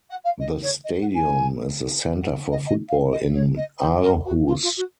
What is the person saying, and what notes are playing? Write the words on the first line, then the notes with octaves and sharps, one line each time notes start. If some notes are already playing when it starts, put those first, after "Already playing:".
The stadium is the center for football in Aarhus.
F#5
F5
D#5
C#5
D#5
F#5
G#5
F#5
D#5
D#5
F5
D#5
C#5
D#5
C5
A#4
F#4
F4
F4
F#4